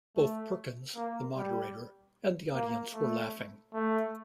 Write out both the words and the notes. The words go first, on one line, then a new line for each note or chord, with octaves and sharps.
Both Perkins, the moderator and the audience were laughing.
A3
A#3
G3
A#3
A3
A3